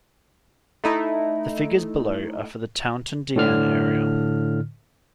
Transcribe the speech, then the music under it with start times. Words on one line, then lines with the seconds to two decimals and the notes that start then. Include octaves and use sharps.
The figures below are for the Taunton Deane area.
0.84 A3 D#4 E4
3.36 A2 D3 F6